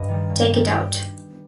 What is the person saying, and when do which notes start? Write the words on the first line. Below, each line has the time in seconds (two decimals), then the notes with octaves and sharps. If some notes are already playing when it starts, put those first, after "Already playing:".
Take it out!
Already playing: G2 G4 B4 D#5
0.09 D#3 G3
0.29 G2
0.51 D#3 G3
0.72 G4